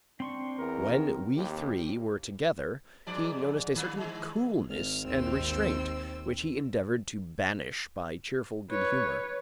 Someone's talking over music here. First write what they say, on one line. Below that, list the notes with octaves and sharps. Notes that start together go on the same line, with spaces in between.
When we three were together, he noticed a certain coldness and restraint which he endeavored to banish by cheerful good humor.
C4 D4 C6 C#6
E2 A#4
D#2 G4
G#2 F3 D5
D#3 A#3 B3
D#3 G#3
G#1 F6
D#2 C4 E6
B4 C#5